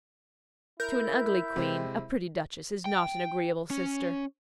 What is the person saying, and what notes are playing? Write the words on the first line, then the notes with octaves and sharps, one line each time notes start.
To an ugly queen, a pretty duchess is not an agreeable sister.
E4 A#4 G6
C3 G#3 C4
G5
C#4